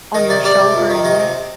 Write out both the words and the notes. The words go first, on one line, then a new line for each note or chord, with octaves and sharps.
on your shoulder and neck,
D#3 D#5
C3 D5
G3 D5
C3
F2
D#3
C3 D#5
C3